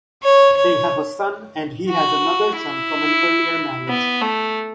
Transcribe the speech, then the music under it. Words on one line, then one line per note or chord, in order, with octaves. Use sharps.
They have a son, and he has another son from an earlier marriage.
C#5
C#5
F#4
E4
B3
A3